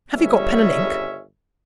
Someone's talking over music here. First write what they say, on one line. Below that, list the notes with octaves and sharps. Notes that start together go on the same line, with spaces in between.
Have you got pen and ink?
G1 C#3 G3 C#4 D#5 E5